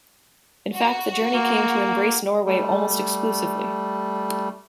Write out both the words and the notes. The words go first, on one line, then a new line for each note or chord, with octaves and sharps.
In fact, the journey came to embrace Norway almost exclusively.
F#4
A#3
G3 A3